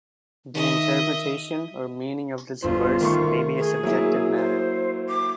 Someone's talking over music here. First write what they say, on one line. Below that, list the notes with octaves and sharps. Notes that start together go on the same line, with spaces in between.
The interpretation or meaning of this verse may be a subjective matter.
D#3 D#5 E5
G1 F4 C5
D#3 A3 C#6
G#4
F#3 A#3 E4
C5
D6